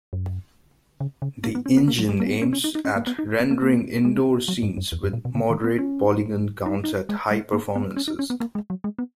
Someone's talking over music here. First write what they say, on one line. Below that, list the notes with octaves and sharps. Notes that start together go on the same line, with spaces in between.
The engine aims at rendering indoor scenes with moderate polygon counts at high performances.
F#2
C#3
C#3
A#3
B3
C#4
B3
A#3
F#3
G#3
A#3
C#4
B3
C#4
C#4
D#4
D#4
C#4
A#3
B3
D#4
B3
A#3
A#3
G#3
F#3
G#2
F#2
E2
F#2
A#2
B2
C#3
D#3
B3
C#4
D#4
D#4
G#3
G#3
A#3
B3
C#4
D#4
C#4
B3
A#3
G#3
F#3
G#3
B3